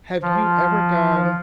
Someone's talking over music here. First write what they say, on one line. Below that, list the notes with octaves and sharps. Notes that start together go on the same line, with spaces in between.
Have you ever gone
F3